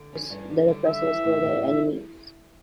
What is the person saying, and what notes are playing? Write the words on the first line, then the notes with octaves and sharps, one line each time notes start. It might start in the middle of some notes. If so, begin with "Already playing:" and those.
Their oppressors were their enemies.
Already playing: D3
C#4
G2
G3
D3
G3 E5
E3
A2
A2